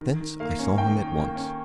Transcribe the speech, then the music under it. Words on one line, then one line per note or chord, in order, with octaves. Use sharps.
Thence I saw him at once.
D#3
D#3
A#3 F5
C#4
D#3 G5
D#3
A#3
C#4